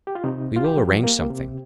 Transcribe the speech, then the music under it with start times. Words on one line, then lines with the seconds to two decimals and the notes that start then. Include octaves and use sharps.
We will arrange something.
0.07 G4
0.15 F4
0.24 C3 D#4
0.51 C2
0.56 F4
0.65 G4
0.77 F3
1.04 A#3
1.30 C3